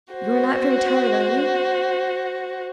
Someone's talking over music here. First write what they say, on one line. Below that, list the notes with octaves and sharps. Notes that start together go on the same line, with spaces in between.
You are not very tired, are you?
F#4 C5